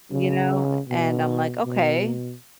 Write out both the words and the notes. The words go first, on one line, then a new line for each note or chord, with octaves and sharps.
You know, and I'm like, "Okay,
C#3
B2
B2